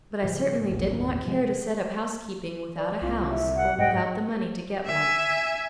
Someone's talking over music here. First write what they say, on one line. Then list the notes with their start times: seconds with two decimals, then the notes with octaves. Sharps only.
But I certainly did not care to set up housekeeping without a house or without the money to get one.
0.23 G#2 C#3 F3 G#3
0.70 E1 A#1 F3 B3
0.90 G#1 E2 G2 A#2
1.25 C3 F3 G#3
2.77 D5
3.02 C2 F4
3.30 E5
3.56 F#5
3.78 G#2 D#5 F#5 G5
4.86 E5 G#5